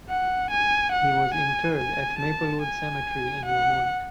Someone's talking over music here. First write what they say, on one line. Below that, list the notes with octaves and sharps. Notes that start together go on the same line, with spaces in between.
He was interred at Maplewood Cemetery in Lamont.
F#5
G#5
F#5
G#5
G#5
A5
G#5
F#5